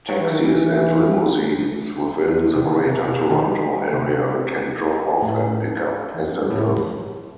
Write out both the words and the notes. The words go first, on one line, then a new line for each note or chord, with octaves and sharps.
Taxis and limousines within the Greater Toronto Area can drop off and pickup passengers.
F#3
E3
D#3
E3
C3
D#3
C3
B2
D#3
C3
A2
E2
F#2
G2
A2